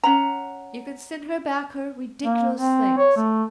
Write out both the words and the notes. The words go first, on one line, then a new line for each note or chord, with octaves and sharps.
You can send her back her ridiculous things.
C#4 F#5 A#5
A#3
C4
C#5
A3